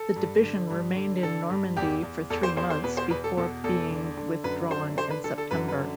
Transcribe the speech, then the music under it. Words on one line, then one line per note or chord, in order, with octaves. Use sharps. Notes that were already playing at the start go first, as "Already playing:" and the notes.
The division remained in Normandy for three months before being withdrawn in September.
Already playing: A4
G2
D3
G2
D3
D3 A4
G2
E2 G4
E2
E2 A4
C5
E2 C5
C5
B2 B4
C5
E2 B4
A4
B2 A4
E2 A4
D3
D3
F#2 B4
D3 C5
D3 C5
B4
D3 A4
A4
F#2 B4
B4
D3